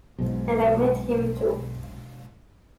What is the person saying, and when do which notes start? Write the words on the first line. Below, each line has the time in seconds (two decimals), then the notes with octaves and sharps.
And I met him, too.
0.19 B1 G#2